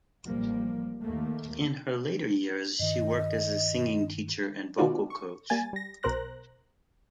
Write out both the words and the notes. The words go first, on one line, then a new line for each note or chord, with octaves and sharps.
In her later years she worked as a singing teacher and vocal coach.
A1 F3 G3 A#3
D#2 D#3 A3 A#3
G2 D#3 D#5
D#3 B3 D#4 F4 F#4 D5
C#6
G3 A#3 G#5 A6
G3 A#6
B1 B2 A#4 C5 F#6 A#6